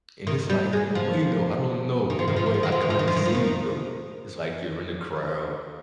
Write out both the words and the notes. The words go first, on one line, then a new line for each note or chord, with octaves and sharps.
And it's, like in a way, though I don't know, in a way I kinda see it, though. It's, like, you're in the crowd,
D#3
G3
G#3
F3
D#3
F3
D#3
F3
D#3
F3
D#3
F3
D#3
F3
D#3
F3
D#3
F3
D#3